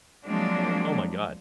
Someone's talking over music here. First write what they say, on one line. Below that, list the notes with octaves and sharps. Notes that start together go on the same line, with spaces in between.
Oh, my god,
F3 F#3 G#3 A#3 C4 D4